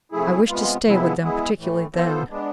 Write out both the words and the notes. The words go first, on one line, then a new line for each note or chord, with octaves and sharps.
I wish to stay with them particularly then.
C3 F3 A3 E4 G#4
C3 G#3 B3 F4
C3 F3 G#3 B3 E4
G#3 B3 E4 G#4
A2 E3 A3
E3 B3 F4 A4 C5
G#3 B3 D4